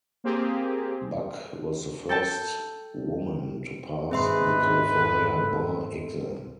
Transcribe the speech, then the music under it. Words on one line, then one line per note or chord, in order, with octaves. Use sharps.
Buck was the first woman to pass the California Bar exam.
A#3 C4 G4 G#4
A4 G5 A5
G#1 G#3 C4 G#4 B4 E5 C6
A4